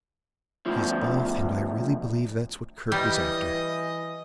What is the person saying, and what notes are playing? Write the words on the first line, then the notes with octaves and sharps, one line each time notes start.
"She's off, and I really believe that's what Kirk was after."
D2 F3
E3 G3 D#5